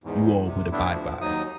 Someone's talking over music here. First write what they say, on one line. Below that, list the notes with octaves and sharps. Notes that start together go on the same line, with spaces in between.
you all would abide by?
E2 G#2
C3
A2 G3 A3 B3 D4 E4
D2 F3
D#2 F#3 D#4 D#6